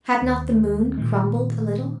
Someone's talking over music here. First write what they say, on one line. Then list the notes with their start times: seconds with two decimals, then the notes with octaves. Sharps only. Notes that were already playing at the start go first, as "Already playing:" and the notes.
Had not the moon crumbled a little?
0.22 D#2
0.97 A#2 D#3 G#3